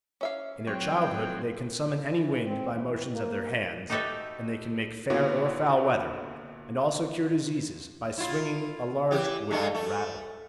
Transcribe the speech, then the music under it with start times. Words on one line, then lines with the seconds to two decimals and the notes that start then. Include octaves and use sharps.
In their childhood they can summon any wind by motions of their hands, and they can make fair or foul weather, and also cure diseases by swinging a large wooden rattle.
0.21 C#4 E5 F5
0.67 F#3 C4 C#5 G5
2.11 E3
2.45 C4
2.74 E3
3.15 A#3
3.90 D#4 F#4 G4 A4 B4 E5
5.10 A#2 D3 B3 E4 F#4
8.18 E4 F4
9.11 E3 G4
9.51 G2 G#3 A3
9.75 A3